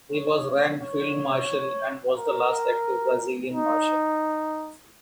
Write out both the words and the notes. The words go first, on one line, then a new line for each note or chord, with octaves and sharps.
He was ranked Field Marshal and was the last active Brazilian marshal.
C#5
C#5
A#4
D#4